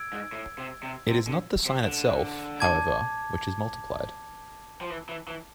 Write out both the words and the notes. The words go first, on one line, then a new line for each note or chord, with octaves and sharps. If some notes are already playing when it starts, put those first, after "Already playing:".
It is not the sign itself, however, which has multiplied.
Already playing: E6 G#6 D7
G#2
A2
C3
C3
C3
D3
C3
D3
A5 D6 G#6
F3
E3
E3
E3